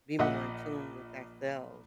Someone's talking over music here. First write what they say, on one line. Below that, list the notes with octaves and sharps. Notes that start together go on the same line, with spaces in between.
be more in tune with ourself,
A#1 D#5 E5 F#5